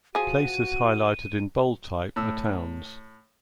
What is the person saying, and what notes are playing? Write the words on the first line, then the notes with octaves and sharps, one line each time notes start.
Places highlighted in bold type are towns.
F3 F#4 G#4 D#7
A2 E6